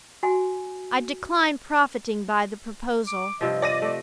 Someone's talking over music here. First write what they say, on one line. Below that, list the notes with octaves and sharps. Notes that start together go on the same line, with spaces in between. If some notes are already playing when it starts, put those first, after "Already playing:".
I decline profiting by the proposal.
F#4 G#5
D6
G2 C3 F3 D#5
D5 A#6 D#7
A3